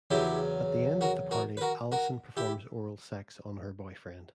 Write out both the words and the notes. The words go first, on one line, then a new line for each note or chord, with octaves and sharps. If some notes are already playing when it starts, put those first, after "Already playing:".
At the end of the party, Allison performs oral sex on her boyfriend.
E2 C#3 F#3 E4 G4
F#4 A#4
F#4 A#4
B4
F#4 A#4
F#4 A#4
E4 G4